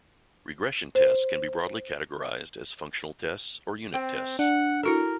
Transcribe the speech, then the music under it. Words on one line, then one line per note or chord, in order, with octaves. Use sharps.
Regression tests can be broadly categorized as functional tests or unit tests.
C5
C4 G5
D4 F#5
E4 F#4 A4 A#4